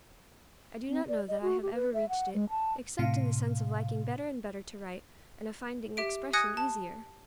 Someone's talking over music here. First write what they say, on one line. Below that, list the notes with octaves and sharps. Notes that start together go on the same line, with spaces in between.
I do not know that I have ever reached it, except in the sense of liking better and better to write, and of finding expression easier.
C4
D5
D#5
F#4
G4
B4
E5
F#5
G#3
A5
A2 C3 F5
G4 E5 D7
G#5 D#6 F#6 G#6 A#6 C#7
A5